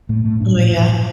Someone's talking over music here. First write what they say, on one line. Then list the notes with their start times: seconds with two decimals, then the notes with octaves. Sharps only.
Oh yeah.
0.09 A2 A3
0.24 A2 A3
0.40 A2 D4
0.56 A2
0.73 A2
0.88 A2